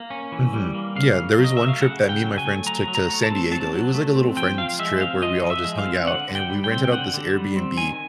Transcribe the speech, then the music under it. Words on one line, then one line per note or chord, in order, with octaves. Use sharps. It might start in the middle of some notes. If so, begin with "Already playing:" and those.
Mhm. Yeah. There is one trip that me and my friends took to San Diego. It was like a little friend's trip where we all just hung out, and we rented out this Airbnb.
Already playing: A#3
C#4
E3
G3
A#3
C#3 F5
C#3
F#3
D#5
A3 E5
F5
C#3 F#5
C#3
G5
F#3
G#5
A3
F#3 A#5
F#3
A#5
A3
A5
C4
F#3 A5
F#3
A3
C4
F3 G5
F3 F5
G#3 E5
C4 F5
F3 D#5
F3
E5
G#3
F5
C4
D3 F#5
D3
G5
G3
G5
C4
G5
D3 F#5
D3
G3
C4
D#3 G#5